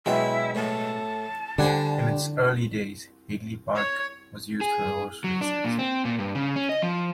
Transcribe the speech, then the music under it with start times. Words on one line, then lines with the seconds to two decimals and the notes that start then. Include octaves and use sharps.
In its early days, Hagley Park was used for horse races.
0.06 B2 F#3 G#3 E4 E5 G5
0.55 A2 A5
1.58 D3 G3 D4 G4 C5 F#5 G#5
3.75 C#5
4.61 G#4
5.24 F#3
5.41 D4
5.65 A#2
5.79 C4
6.05 A#2
6.19 G2
6.35 C#3
6.56 C#4
6.69 D#5
6.82 F3